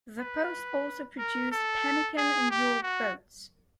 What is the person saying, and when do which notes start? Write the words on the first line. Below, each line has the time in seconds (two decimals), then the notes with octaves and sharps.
The post also produced pemmican and York boats.
0.20 B4
1.18 A#4
1.51 A4
2.17 G#4
2.50 G4
2.82 F#4